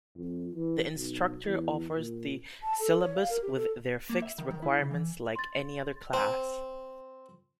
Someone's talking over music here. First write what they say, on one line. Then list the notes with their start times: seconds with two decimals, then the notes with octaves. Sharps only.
The instructor offers the syllabus with their fixed requirements like any other class.
0.16 F2
0.55 E3
0.94 B1
1.45 E2
1.96 A#2
2.63 A5
2.80 A4
3.02 C#5
3.16 F5
3.30 A#4
3.42 G4
3.56 A4
4.09 A#3
4.22 E5
4.38 D#3
4.51 D#3
4.62 E4
4.79 C#3
4.91 E3
5.36 C6 A6
6.13 C4